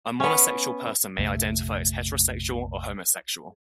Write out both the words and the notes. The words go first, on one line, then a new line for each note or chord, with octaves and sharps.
A monosexual person may identify as heterosexual or homosexual.
B3 C#4
A#1 F2 C3 A3